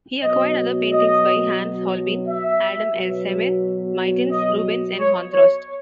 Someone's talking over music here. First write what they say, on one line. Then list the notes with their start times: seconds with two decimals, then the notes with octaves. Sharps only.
He acquired other paintings by Hans Holbein, Adam Elsheimer, Mytens, Rubens, and Honthorst.
0.23 B2 F#3 D#5
0.91 D#5
2.27 E5
2.96 B2 F#3
4.32 D#5
5.00 C#5
5.34 C#5